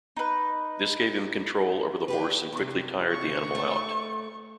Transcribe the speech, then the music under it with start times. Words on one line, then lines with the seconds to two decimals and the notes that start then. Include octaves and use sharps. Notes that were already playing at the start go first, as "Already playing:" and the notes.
This gave him control over the horse and quickly tired the animal out.
0.17 D#4 B4
2.08 D4 G4 B4
2.52 E2 C3
3.12 C#6
3.55 A3